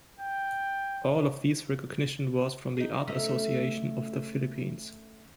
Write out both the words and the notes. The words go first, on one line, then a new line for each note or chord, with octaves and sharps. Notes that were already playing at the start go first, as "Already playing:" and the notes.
All of these recognition was from the Art Association of the Philippines.
G5
D#4 G#4
A3 C#4 D#4